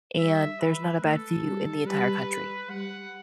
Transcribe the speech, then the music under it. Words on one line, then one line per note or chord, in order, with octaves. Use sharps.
and there's not a bad view in the entire country.
G3 E5
B4
A3 A4
G3
G3 B4
G3 F#5